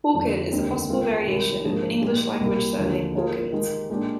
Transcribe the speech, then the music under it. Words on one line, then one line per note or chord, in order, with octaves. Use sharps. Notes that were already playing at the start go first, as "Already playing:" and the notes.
Hawken is a possible variation of the English language surname "Hawkins".
F2 D3 F3
D#2 D3 G#3 C4 D#4
D#3 G#3 C4 F4
C2 C3 D#3 G#3
G#2 F3 A#3 D4 G#4
A#2 G#3 D#4 G4
C2 A#2 G3 A#3
D#2 D3 F3 G#3
D#3 A#3 F4 G#4
D#3 G#3 D#4 G4
A#2 G#3 D4 G4